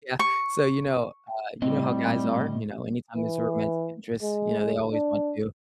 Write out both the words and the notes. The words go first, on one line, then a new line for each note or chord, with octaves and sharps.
yeah. So, you know, uh you know how guys are, you know? Anytime there's a romantic interest, you know, they always want to,
C#6
A2 G3 C4 D#5
E3
G#3
D4